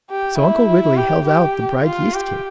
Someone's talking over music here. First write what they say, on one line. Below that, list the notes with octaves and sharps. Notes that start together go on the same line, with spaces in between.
So Uncle Wiggily held out the bright yeast cake.
G4
E4
G4
G4
F4
G4